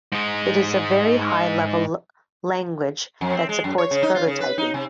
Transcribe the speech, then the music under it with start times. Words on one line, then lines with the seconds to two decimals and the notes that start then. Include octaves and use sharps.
It is a very-high level language that supports prototyping.
0.12 G#2 G#3
3.21 F2
3.35 C4
3.49 G#3
3.64 F#2
3.78 C#5
3.91 C#3
4.03 D#4
4.14 F4
4.27 C#3
4.40 B4
4.58 D#4
4.74 C3